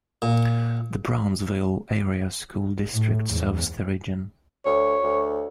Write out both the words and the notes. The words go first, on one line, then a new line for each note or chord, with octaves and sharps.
The Brownsville Area School District serves the region.
A#2
A2
E2 G#2
D2 C#5
D2